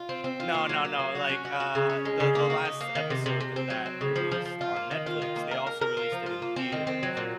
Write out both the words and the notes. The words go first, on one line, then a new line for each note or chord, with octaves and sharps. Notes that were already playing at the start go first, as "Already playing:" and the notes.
No, no, no, like, uh, the the last episode th that released on Netflix, they also released it in theaters.
Already playing: F4
C4
C4
F4
A#3
F#3
A#3
F#3
F#4
C#4
F#4
F#4
C#3
C#4
G#3
C#3
A#3
F#4
D#4
A#3
D#3
C3
C3
C3
C4
F#3
C4
C#3
F3
F3
F3
F4
A#3
D#3
F4
D#3
A#3
A#4
A#4
A#4
F4
F3
F4
A#3
C4
D#3
C4
F#3
A#2